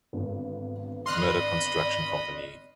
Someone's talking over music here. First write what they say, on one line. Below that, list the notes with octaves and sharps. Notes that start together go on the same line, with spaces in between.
Murdock Construction Company.
G#1 D3 B3
D5 D#5 B5 C6 F6 F#6